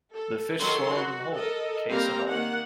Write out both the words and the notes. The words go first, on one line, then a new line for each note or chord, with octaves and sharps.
The fish swallow them whole, case and all.
A4
D#3 F#3 A4 C6
F#4
A4 A#4 D#5
G3 A#3 C4 F5 A#5
D#3 A#3 F#5